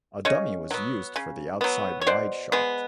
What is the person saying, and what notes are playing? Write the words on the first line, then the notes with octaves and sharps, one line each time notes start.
A dummy was used for the outside wide shot.
C#3 C#5 D#5
F#3 B3
C#3
F#3 B3
C#5
B2 C5 D5
G#3 B3